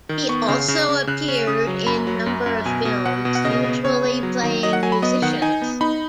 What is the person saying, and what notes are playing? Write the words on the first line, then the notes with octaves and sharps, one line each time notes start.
He also appeared in number of films, usually playing musicians.
D#3
B3 C#6
C#3
C#3
C#3
C#3 F#6
C#4
C#3 D#6
F#3
F#2 B5
F#3
F#2
F#2
B2 G#5
B2
B2 F#5
B2
F#5
C#3 D#5
B3
C#3 C#5
B3
F#3
D#3
F#3 D#5
F#5
F#3 G#5
B5
B3 D#5
D#3 F#5
D#4 G#5
B3
D#4 B5